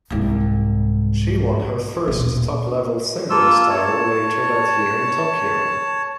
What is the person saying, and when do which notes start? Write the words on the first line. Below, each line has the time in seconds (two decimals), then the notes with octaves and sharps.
She won her first top-level singles title later that year in Tokyo.
0.11 C2 G#2
2.08 D#1 B2
3.30 A#3 F4 A4 E6
3.69 C#5 A5